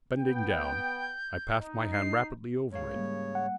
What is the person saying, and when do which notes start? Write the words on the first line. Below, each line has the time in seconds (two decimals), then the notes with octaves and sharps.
Bending down, I passed my hands rapidly over it.
0.17 B3 G5
0.59 G6
1.52 D#4
1.92 C7
2.73 G#2 C#3 C#5 F5
2.96 G3 A#3
3.35 F#5